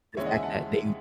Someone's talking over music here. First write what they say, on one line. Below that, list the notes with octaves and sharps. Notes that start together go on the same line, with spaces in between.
the fact that they
D#2 C#3 E3 G#3 C#5 E5
D#5 F#5
E5 G#5
F#5 A5